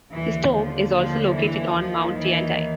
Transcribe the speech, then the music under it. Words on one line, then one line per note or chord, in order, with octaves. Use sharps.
His tomb is also located on Mount Tiantai.
D#2 D3 E3
F3
F3
E3
D#2 D#3 F3
E3